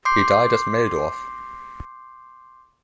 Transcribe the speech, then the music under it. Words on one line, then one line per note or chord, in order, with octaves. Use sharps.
He died at Meldorf.
C6 D6 G6 C7